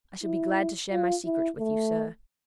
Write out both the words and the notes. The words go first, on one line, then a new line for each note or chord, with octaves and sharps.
I shall be glad to share my secret with you, sir.
E4
F4
E4
A3